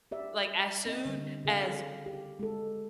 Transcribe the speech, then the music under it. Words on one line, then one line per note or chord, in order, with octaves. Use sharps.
like, as soon as
G4 D5 E5
C4 D#5
D3 G3
C#3 G#4 A4 F5
G4
G#3 A4